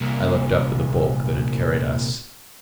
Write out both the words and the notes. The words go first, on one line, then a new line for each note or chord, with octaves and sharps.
I looked up at the bulk that had carried us.
C2 A#2